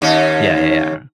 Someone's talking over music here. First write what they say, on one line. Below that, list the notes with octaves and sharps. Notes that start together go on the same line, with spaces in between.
Yeah, yeah, yeah.
D#2 C#4